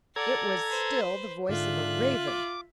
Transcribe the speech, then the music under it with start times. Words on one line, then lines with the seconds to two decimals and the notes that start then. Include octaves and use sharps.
It was still the voice of a raven!
0.16 A4 D5 F#5 A#5 G#6
0.67 B4 C5
1.49 G#2 D3 F4 E5 F#6
2.27 D6